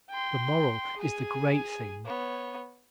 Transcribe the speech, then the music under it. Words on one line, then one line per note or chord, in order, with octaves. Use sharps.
The moral is the great thing.
G5 C6
G#4 G#5
B3 C#5